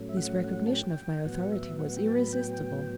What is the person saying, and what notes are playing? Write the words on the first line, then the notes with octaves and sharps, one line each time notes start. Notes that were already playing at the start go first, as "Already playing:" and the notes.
This recognition of my authority was irresistible.
Already playing: A2 F#3 A3 C#4
E5
F#5
F#5
A5
G5
A2 F#3 B3 F#5
E5
F#5
G5
A5
B5
G5